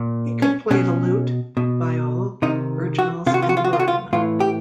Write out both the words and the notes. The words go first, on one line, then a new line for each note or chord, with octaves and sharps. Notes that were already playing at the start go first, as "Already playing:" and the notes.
He could play the lute, viol, virginals and the organ.
Already playing: A#2
C#4
B2 C#4
B2
C3 D#3 D#4
F#4
C3 D#3 F4
F#4
F4
F#4
F4
F#4
F4
F#4
F4
A2 E3 F4
G4